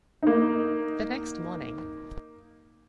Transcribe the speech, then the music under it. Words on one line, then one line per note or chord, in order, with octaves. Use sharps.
The next morning.
A#3 D#4